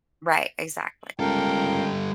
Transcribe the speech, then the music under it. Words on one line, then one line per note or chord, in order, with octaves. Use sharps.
Right, exactly.
C#2 G3 A4 A#4 F5 G5